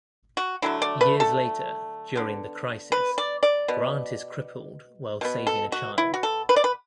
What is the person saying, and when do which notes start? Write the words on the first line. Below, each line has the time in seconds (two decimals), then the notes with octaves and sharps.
Years later, during the Crisis, Grant is crippled while saving a child.
0.37 F#4
0.62 D3 F#3 A3 E4
0.82 D5
1.01 B4
1.20 A4
2.16 D3 B3
2.92 B4
3.18 D5
3.43 D5
3.68 B2 B3
5.21 B2 B3
5.47 A4
5.72 F#4
5.98 E4
6.14 F#4
6.23 A4
6.49 B4
6.56 D5
6.64 B4